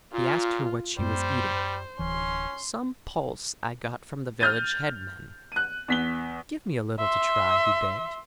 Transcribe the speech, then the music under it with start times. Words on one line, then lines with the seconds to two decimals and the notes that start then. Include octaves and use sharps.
He asked her what she was eating: "Some pulse I got from the village headman," "Give me a little to try" he begged.
0.13 A#2 F4
0.99 F#2 G3 G#3 B3 C5
1.99 D1 E3 C#4 C6
4.40 F6 G6 A6 D#7
5.52 F#6 D#7
5.88 E2 B6 G7
6.99 E5 C6